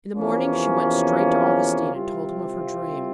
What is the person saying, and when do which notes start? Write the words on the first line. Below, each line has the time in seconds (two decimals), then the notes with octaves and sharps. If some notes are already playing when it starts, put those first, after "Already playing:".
In the morning she went straight to Augustine and told him of her dream.
0.14 E2 C3 F3 A#3 C#4
1.94 C2 C3 G3 C4 F4